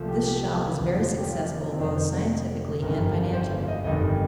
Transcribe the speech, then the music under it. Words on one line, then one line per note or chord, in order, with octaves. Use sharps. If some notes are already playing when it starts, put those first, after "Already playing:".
This shop was very successful both scientifically and financially.
Already playing: C2 A#2 F3 A3
G4
G4
F1 D#2 D3 F3
G4
F4
D4
C4
F1 F2 D#3 D4
C5
D5
G1 F2 D#3 G3 A#4
C5
F5
D#5
G1 F2 D#3 G3 D#5